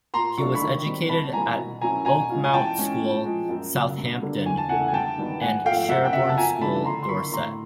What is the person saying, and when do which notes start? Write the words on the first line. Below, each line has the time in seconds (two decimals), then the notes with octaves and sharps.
He was educated at Oakmount School, Southampton and Sherborne School, Dorset.
0.14 A#2 A#5 C6
0.37 F#3 A3 D4 F4 C#6
0.54 B5 C#6
0.61 D#3
0.86 G3 C4 D#4
1.09 C3 A5 B5
1.33 E3 G3 A#3 G#5 A#5
1.58 B2
1.81 F#3 A#3 C#4 E4 G#5 A#5
2.05 B2 G#5 A#5
2.30 G#3 C#4 F4
2.44 G#5
2.53 E3 G5 A5
2.78 G#3 C#4
3.02 A#2
3.25 F3 G#3
3.49 F#2
3.74 C#3 F#3
3.98 G2
4.22 D3 G3 A#3 D4
4.46 E2 G#5
4.57 A5
4.69 C#3 E3 A3 F#5 G#5
4.88 G#5
4.93 G2 G5 A5
5.18 D#3 G3 B3 D#4
5.41 G#2 F#5 G#5
5.65 A3 F5 G5
5.70 F3
5.89 F#2 E5 F#5
6.05 G5
6.13 C#3 F#3 E5 F#5
6.29 A5
6.37 F2 G#5 A#5
6.61 C#3 E3 A3 D4 A5 B5
6.85 D3 A#5 C6
7.03 C6
7.09 F#3 A#3 B5 C#6
7.33 A2 A#5 C6